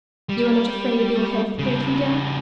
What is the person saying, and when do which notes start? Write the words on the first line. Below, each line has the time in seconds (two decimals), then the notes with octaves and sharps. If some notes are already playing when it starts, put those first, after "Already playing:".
"You are not afraid of your health breaking down?"
0.29 G3
1.59 C#3 G3